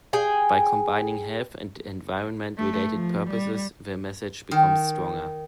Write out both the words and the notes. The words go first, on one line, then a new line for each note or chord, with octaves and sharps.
By combining health and environment related purposes, the message becomes stronger.
G#4 G5 G#5
A3
F3
G3
D#3